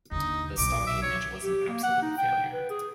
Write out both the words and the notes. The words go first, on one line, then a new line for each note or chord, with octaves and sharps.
The stock image was an absolute failure.
D#2 D3 D#4
B1 B2 D6
E5
C#5
G4
A#3
F#5
D#4
G5
B4
G#4